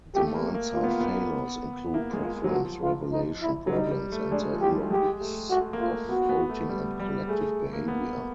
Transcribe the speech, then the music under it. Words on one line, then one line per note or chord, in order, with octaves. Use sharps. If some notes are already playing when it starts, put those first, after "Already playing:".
Demand-side failures include preference-revelation problems and the illogics of voting and collective behaviour.
A3 G4
A#3
A#3
F4
B3
A#3
B3
A#3 E4
G#3
F4
F#3
F3 F#4
F4
D#4
E4
F#3
G3 D#4
G3
A3
G#3 D4
F3
G4
G3
A3
G#3 G4
A3
A3 F#4
A#3
A3 F4
B3 F#4
B3
A3
G3
G3
A3 G#4
A#3
B3